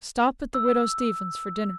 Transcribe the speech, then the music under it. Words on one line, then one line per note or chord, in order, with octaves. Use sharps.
Stop at the Widow Steavens's for dinner.
E6